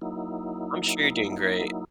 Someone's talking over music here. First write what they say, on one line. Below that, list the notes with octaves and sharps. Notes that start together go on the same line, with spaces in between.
I'm sure you're doing great.
F#3 A#3 D#4 E4